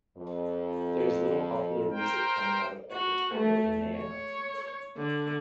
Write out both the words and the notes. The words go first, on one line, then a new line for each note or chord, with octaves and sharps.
There is little popular music coming out of Equatorial Guinea.
F2
A#4 C5 G5
F#4
A3
C#5
D3